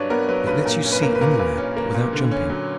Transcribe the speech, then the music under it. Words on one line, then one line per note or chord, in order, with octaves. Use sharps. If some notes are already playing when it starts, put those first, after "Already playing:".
It lets you see anywhere, but without jumping.
Already playing: G2 F#3 D4 B4 C#5 D5
B3 A#4
F#3 B4
G2 B4
A#2 A#4
C#4
B4
A#3 A#4
B4
A#2 A#4
A#2 B4
C#4
A#3
A#2
D3
C#4
F#3